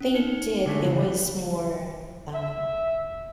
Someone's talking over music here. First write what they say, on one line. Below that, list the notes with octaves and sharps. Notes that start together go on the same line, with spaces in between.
They did, it was more, um
C#4
D#4 C#7
D3 G#3 A3
C#3 E3
E5